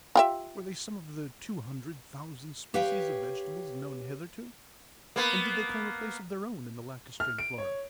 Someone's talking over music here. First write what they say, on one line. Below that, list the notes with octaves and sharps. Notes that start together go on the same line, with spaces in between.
Were they some of the two hundred thousand species of vegetables known hitherto, and did they claim a place of their own in the lacustrine flora?
F4 G4 E5
G4 B4 C#5 F5 G5
A#3 B3
F6
D7
C#5